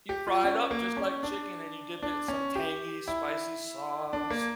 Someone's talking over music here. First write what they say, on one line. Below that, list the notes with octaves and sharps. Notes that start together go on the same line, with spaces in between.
You fry it up just like chicken and you dip it in some tangy, spicy sauce.
G4
F4
C#4
A#3
C#4
D4
D4
C#4
G4
E4
D4
A#3